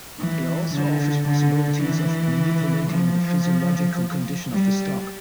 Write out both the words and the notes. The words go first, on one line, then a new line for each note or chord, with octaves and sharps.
It also offers possibilities of manipulating the physiological condition of the stock.
E3
D3
D3
E3
F3
G3